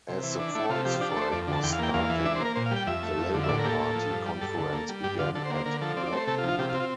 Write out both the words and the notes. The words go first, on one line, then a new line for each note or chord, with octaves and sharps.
As the Ford strike was starting, the Labour Party conference began at Blackpool.
C3
E3
D4
A3 E4
C3 F4
F3 G4
D4 G4
A4
A3
C5
F2 D5
D3
A5
E2 G5
F5
A#3 G5
E2 F5
E3
D4 E5
C5
A#3 A#4
A#2 C5
F5
G3 G5
F2 E5
A3
F2
D3
E5
A2 D5
A#4
A#3 G4 A4
A2
F3
G2
G3
G2 A4
D3
A#3
G3
G2 G4
D3 F4
D3 A4
C5
A#3
C5
D3 A#4
F3 A4
C4 D5
D5
A3 C5
C3 A4
F4
F3
F4
C3 G4
F4
C4
F4